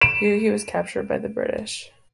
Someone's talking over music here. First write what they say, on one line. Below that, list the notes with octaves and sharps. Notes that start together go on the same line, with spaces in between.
Here he was captured by the British.
D7 E7